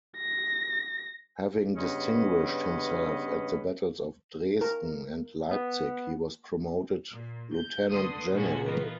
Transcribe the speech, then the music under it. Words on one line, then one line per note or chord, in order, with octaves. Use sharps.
Having distinguished himself at the battles of Dresden and Leipzig he was promoted lieutenant-general.
A#6
G2 C#3 B3 C#4 B4 D#5
A#4
B3
A#2
G6
D3 F#4 A4 B4 C6 D#6
A#2 D3 F3 G#3 C#4 F#4
E3 B3 D#4 F4 A#4